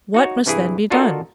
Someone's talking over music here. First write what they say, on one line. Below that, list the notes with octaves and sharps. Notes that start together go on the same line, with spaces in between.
"What must then be done?"
D#4 F#4 C#5
C2 G2 E3 E4 G#4
D4 F4 F#4 A4 A#4 D#5